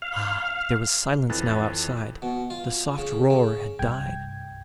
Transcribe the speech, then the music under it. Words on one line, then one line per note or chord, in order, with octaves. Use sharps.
Ah! there was silence now outside; the soft roar had died.
F5
F2 E3 F#6 A6
B2
F4
C#3
C#3
C2 G2 G5 G#6